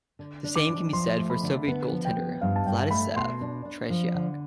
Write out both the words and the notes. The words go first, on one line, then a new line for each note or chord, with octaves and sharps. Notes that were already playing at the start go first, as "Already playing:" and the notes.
The same can be said for Soviet goaltender Vladislav Tretiak.
D3
D4
D6
F3
F3 C6
A3
B5
D3
B3
F3
G5
B3
G2 F5
A5
G2 G5
A3 B5
B2 C6
D4
D4
F3
D3